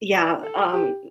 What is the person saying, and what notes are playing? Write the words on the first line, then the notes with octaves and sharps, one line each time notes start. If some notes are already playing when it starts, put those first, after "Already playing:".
yeah, um,
D5
A4
G4